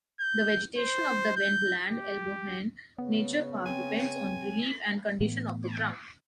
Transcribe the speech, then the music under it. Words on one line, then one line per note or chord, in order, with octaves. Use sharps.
The vegetation of the Wendland-Elbhöhen Nature Park depends on relief and condition of the ground.
G6
C5
G6
G4
C#3 B3 C#5
C4 G5 G#5
A2 E3 A3 B3